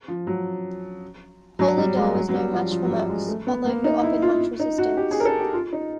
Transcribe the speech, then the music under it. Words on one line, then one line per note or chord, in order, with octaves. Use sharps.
Poulidor was no match for Merckx, although he offered much resistance.
F3
F#3
F#3
G3
G#3
F#3
F#3
G3
F3
F3
F#3
G3
G#3
A3
B3
A#3
D#4
E4
F4
D#4
F#4
G4
G#4
A#4
A4
G4
F4
D#4